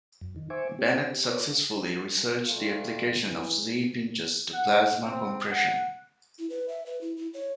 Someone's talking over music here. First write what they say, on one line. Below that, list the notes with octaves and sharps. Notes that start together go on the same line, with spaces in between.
Bennet successfully researched the application of Z-pinches to plasma compression.
F#2
D#3
C5 E5 G#5 C#6 D6
C4 G4
F4 A#4 B4 C#5 D5
G3 A3 F4
A#2 E3
F#5
C4
F#5
E4
B4
E5
B4
E4
E4
C#5